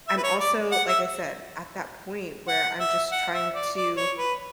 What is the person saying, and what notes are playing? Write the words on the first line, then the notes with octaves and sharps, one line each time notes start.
I'm also like I said, at that point where I'm just trying to
E5
B4
C#5
D5
F#5
E5
F#5
E5
F#5
E5
D5
D5
C#5
B4